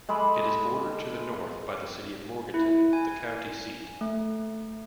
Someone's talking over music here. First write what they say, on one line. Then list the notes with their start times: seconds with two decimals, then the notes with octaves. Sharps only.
It is bordered to the north by the city of Morganton, the county seat.
0.09 G#3 A4 B5 D6
2.54 E4
2.93 G#5
4.01 A3